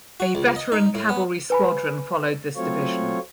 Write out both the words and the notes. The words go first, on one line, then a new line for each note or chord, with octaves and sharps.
A veteran cavalry squadron followed this division.
F#4
C#2
D#5
D#4
A2
B3
B4 G#5 B5
F#3 A3 C4 F4 C#5